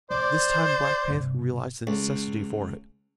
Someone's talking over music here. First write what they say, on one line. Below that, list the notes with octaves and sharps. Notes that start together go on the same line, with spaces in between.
This time Black Panther realized the necessity for it.
A#1 C5 D5
G2 C3
C#2